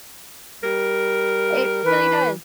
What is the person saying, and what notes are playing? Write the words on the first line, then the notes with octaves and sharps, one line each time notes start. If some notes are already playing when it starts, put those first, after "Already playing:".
It really does.
G3 A#4
E3 B4